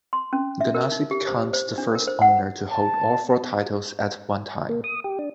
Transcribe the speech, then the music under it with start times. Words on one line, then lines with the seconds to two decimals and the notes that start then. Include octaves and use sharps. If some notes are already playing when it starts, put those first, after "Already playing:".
Ganassi becomes the first owner to hold all four titles at one time.
0.13 C6
0.33 C#4
0.61 E5
0.75 A#4
0.92 D#4
1.11 G4
1.27 C5
1.53 C5
1.78 D4
1.95 A#4
2.07 C5
2.22 F#5
2.72 A5
4.69 A#3
4.84 D#6
5.04 G4
5.19 D4